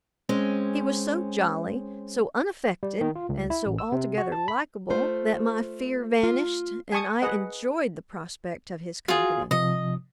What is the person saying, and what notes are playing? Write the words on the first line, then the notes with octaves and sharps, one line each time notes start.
He was so jolly, so unaffected, and so altogether likable, that my fear vanished and I enjoyed the prospect of his company.
G#3 C4 C#4
G3
D#3
F4
C#2
E4
A1
E6
C3
F#4
A5
B5
A3 F4 C5
F4
G#5 A5 C#6 D#6
G#4 B4 D#5 F#5
F4 F#4 G#4
C3 F3 D#5